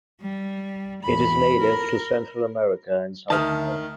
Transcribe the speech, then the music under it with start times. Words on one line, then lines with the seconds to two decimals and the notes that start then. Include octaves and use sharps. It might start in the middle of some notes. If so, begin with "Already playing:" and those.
It is native to Central America and South America.
0.21 G3
1.03 E2 B5
1.60 A#4
3.30 D2 D#3 E5 A5 D#6 F6